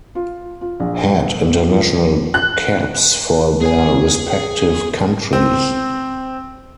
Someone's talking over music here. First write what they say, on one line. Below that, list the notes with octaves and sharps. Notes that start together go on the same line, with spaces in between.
Had international caps for their respective countries.
F4
F4
A#1
F3
F#6
G#4 G#5
C4